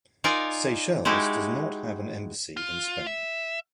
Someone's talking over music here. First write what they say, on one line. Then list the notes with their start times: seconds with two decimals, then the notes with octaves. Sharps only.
Seychelles does not have an embassy in Spain.
0.24 D#4 F4 A#4 D5 G#5
1.05 G#3 D#4 E4 F#4 G4
2.57 F4
3.07 E5